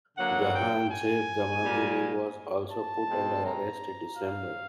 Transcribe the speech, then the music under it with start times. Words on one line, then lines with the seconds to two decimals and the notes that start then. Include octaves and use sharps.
Jahanzeb Jamaldini was also put under arrest in December.
0.16 D3 F#3 A#3 F#5
0.53 G5
0.90 G#5
1.62 A#2 G3 A#3
2.72 A5
3.08 B2 G#3 C4
3.44 A#5
4.17 F5